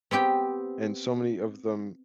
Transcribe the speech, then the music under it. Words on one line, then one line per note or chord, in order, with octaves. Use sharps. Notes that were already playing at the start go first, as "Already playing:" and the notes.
and so many of them
B3 C4 G4 G5